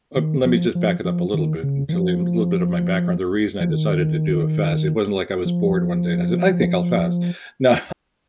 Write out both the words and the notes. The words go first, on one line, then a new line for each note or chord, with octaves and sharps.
uh let me just back it up a little bit to leave a little bit of my background, the reason I decided to do a fast, it wasn't like I was bored one day and I said, "I think I'll fast." No
D#3
F3
F3
F3
D#3
C#3
D#3
F3
F3
D#3
F3